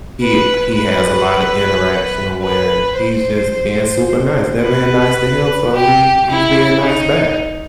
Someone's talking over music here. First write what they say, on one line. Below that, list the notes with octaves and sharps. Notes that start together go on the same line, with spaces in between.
he he has a lotta interaction where he's just being super nice. They're being nice to him, so he's he's being nice back,
B4
B4
B4
C5
B4
G4
E4
D#4